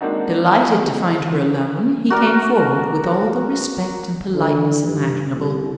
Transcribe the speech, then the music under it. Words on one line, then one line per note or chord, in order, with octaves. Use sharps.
Delighted to find her alone, he came forward with all the respect and politeness imaginable.
G#3 A#3 C4 D4 D#4 F#4
F#4 A#4 D5
D3
G2
C2